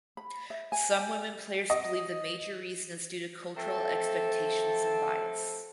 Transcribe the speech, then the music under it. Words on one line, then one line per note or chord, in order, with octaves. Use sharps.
Some women players believe the major reason is due to cultural expectations and bias.
B5
E5
G#5
G#5
D#5
F3 A3 C4 A4